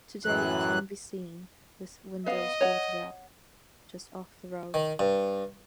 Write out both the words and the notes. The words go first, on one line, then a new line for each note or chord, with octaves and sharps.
Today it can be seen, with windows boarded up, just off the road.
F#2 A2 E3 F#3 F#6
B3 D#5 F5
C#5 F#5
D#3
G2